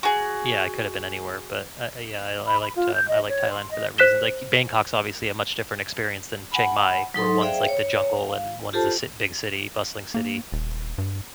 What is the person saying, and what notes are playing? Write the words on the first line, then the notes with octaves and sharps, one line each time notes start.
yeah, I coulda been anywhere, but uh uh yeah, I'll I liked, um I liked Thailand for that reason, like, Bangkok's obviously a much different experience than Chiang Mai, where one's, like, the jungle and one's a cit big city bustling city.
F#4 G#4
B5
B5
F4
G6
D#5
C#5
C6
D#5
C5 F#6 B6 E7 G7
F#5 G#5 B5
F#3 D#4 A4 C6
G#4 C5 D5 E5 F5 G5
C#5
F5
F4 G4 A4 C5 A5
A#3
D#1
G2